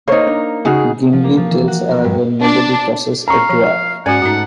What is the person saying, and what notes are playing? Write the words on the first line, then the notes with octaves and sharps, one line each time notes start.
Gimli tells Aragorn, Nobody tosses a dwarf!
A#3 D#4 C5 C#5
D4
C#3 D#4 F#4 G#4
F3
A#3
F3
E3
F#4
A#4
G2
D4
F5 A#5 C#6
F3
G#2 C#4 F#4 D5 F#5 G#5
G#2 A3 D#4 F#4